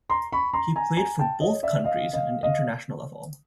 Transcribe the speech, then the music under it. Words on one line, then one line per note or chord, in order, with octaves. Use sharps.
He played for both Countries at International level.
A#5 C6
B5 C#6
A#5 C6
G#5 A#5
G#5 A#5
G5 A5
C#5 D#5
D5 E5
D#5 F5
D#5 F5
D#5 F5